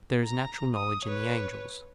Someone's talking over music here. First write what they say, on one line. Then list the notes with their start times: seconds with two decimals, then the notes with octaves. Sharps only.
But there is natural knowledge in the angels.
0.24 A#5
0.75 D#6
1.05 B4 C#5